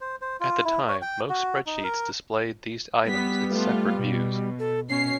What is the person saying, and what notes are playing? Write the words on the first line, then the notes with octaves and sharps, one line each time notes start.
At the time, most spreadsheets displayed these items in separate views.
C5
C5
F4
E4
C#5
G5
F#4
D#4
A#4
G3 B3 B6
A3 B3 F4
B2
A4
B2 C#4 C#5 C7